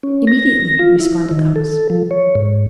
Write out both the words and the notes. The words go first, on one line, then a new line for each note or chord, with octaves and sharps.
"Immediately," responded the host.
C#4
A#6
F4
E4
D#3
A4
F3
C#5
G#2